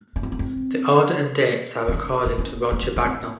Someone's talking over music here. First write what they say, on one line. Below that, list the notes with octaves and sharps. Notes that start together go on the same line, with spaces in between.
The order and dates are according to Roger Bagnall.
C#4
C4
B3
C4
C#4
D4
D4
C#4
A#3
B3
C#4
C4